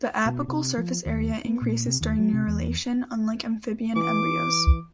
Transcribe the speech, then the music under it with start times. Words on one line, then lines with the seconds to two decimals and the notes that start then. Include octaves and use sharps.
The apical surface area increases during neurulation, unlike amphibian embryos.
0.26 B2
0.48 C3
0.78 F3
1.06 D#2
1.45 B3
1.62 A#2
1.87 C3
2.01 D#2
2.19 F#3
2.33 C3
2.47 E2
3.96 E3 D6